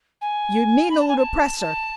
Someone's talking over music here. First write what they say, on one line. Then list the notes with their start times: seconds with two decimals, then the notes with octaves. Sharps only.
"You mean ole oppressor!"
0.21 G#5
0.89 B5
0.99 A5
1.08 G#5
1.17 A5
1.59 A5